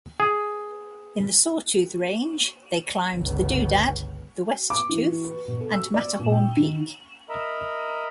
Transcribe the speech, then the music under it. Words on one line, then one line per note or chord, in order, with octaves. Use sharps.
In the Sawtooth Range, they climbed The Doodad, the West Tooth, and Matterhorn Peak.
G#4
G1 C#2
D6
E3
E3
B4
B2
A4
E6
D5
A#2
G5
D#3
A#4 D#5 E5 A#5 B5